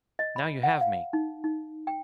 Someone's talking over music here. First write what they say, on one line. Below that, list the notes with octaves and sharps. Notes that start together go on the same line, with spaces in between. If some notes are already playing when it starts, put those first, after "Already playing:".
Now you have me!
D#5
B5
F#5
F5
D#4
D#4
G5